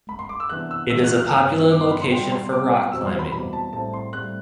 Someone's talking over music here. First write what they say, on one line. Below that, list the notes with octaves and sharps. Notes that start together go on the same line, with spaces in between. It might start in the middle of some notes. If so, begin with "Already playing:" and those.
It is a popular location for rock climbing.
B5
C6
D6
E6
C3 E3 B3 D4 F#6
E6
C3 E3 B3 D4 E6
F#6
F#6
G2 E3 B3 E6
G2 E3 B3 D6
C6
B5
C6
C3 G3 B3 G5
C6
C3 G3 B3 D6
E2 B2 G3 C4 E6
C6
B5
E2 B2 G3 C4 B5
A5
A2 G3 C4 A5
C6
A2 G3 C4 F#6